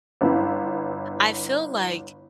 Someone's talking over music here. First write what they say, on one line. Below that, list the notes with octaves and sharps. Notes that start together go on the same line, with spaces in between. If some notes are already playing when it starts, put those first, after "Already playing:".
I feel like,
G1 B3 E4